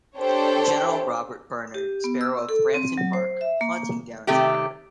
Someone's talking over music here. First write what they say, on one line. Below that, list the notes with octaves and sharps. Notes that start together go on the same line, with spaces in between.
General Robert Bernard Sparrow of Brampton Park, Huntingdonshire.
D4 G4 A4 C5 C#5 G5
G4
B3
E6
A4
C4
F#3
C5
E5
A#3
C3 D#3 A3 G4